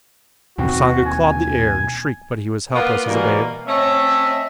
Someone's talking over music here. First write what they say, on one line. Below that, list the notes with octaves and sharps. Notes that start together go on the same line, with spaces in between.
Usanga clawed the air and shrieked but he was helpless as a babe.
D#2 B2 C4 F#4
G#5
A#3 B3 F4
B2 E3 G3 A#3
A3 C4 C#4 C#5 D#5 E5